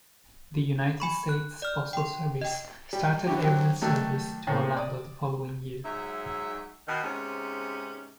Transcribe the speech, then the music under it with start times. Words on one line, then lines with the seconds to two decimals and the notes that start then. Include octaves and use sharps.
The United States Postal Service started airmail service to Orlando the following year.
1.00 G#5 B5 C#6
1.29 F#6
1.62 D5 F6
1.93 G5 C6
2.41 D#5 G5
2.93 G3
3.27 D3 E4 F#4 G4
3.43 F#3 C4 G4
3.82 D#3 F#3 G3 A3
4.47 A2 A#3 C4
4.77 D5 D#6
5.84 G#2 F#3 E5
6.87 B2 D#3
7.04 G#2 C3 B3 C#4